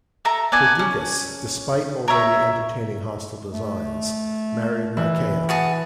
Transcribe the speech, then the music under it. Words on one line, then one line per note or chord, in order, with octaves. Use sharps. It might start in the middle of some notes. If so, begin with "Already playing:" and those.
Perdiccas, despite already entertaining hostile designs, married Nicaea.
A4 E5 A#5
B3 D5 G#5 A5
C#4
A#4 C#5 E5
A3
E3
F#4 G#4 A5